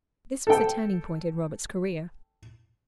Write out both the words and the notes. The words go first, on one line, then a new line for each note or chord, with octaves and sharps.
This was a turning point in Roberts' career.
A4 G5